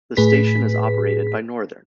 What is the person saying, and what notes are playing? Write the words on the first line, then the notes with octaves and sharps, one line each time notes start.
The station is operated by Northern.
A2 G#4 B4 B6